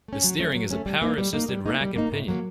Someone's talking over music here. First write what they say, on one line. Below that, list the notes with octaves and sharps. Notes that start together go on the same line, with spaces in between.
The steering is a power-assisted rack-and-pinion.
A3 C#4
F#3
A3 C#4
F#3
A3 C#4
G3
A#3 D#4
G3
A#3 D#4
G3
A#3 D#4
G3
A#3 D#4
A2
F#3 A#3